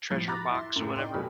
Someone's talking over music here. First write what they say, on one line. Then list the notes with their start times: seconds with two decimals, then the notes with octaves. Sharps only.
treasure box or whatever.
0.11 A2 F3
0.28 A#5 B5 D6 F#6 A6 A#6
0.51 E4 C6
0.76 F#2 A2
0.96 D#4 D5 G5 C6
1.14 F1 B2 F#3 G4 B5